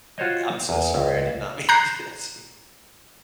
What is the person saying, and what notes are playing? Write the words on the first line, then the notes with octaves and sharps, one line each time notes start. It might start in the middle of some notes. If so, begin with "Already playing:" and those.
I'm so sorry. I did not mean to do that to you.
F4 F#4 C5 C#5 D#5
E2
C#2
A#5 F#6 G6 C7